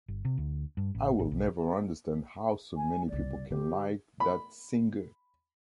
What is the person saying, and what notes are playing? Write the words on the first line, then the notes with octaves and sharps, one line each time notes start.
I will never understand how so many people can like that singer!
G1
C3
D2
G2
A1
A1
B1
G#5
F#1 C2 D5
D3 G4
B5